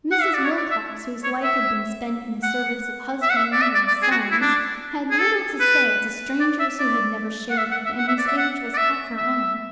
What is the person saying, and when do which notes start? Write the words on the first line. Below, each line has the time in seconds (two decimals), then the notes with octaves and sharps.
Mrs. Wilcox, whose life had been spent in the service of husband and sons, had little to say to strangers who had never shared it, and whose age was half her own.
0.12 F#5
0.23 E5
0.34 D5
0.45 C#5
0.58 D5
0.71 E5
1.24 C#5
1.43 E5
2.43 F#5
3.22 E5
3.30 F#5
3.37 E5
3.53 D5
3.62 E5
3.75 D5
3.88 D5
4.02 G#4
4.11 F#4
4.31 E4
4.42 D4
5.11 G#4
5.20 A4
5.60 B4
6.40 D5
6.60 E5
6.79 D5
7.50 F#5
7.58 E5
7.71 F#5
7.86 E5
7.98 F#5
8.08 E5
8.18 D5
8.28 E5
8.38 F#5
8.74 D5
8.77 E5
9.17 E5